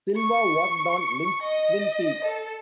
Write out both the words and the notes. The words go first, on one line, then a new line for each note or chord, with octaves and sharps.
Silva worked on Lynch's "Twin Peaks".
C#6
D#5
A4